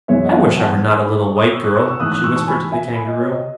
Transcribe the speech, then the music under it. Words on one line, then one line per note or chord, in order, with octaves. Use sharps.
"I wish I were not a little white girl," she whispered to the Kangaroo.
F#2 E3 G#3 B3 C#5 E5
D#5 F#5
A5
E5 G#5
F#5 A5
G#5 B5
A5 C#6
C#6
B5 D#6
C#6 E6
D#6 F#6
C#6 E6
C#6 E6
G#2 E3 A3 D#6 F#6
D#6 F#6
C#6 E6
A5 C#6
G#5 B5
E5 G#5
G#5 B5
D#5
C#5
D#5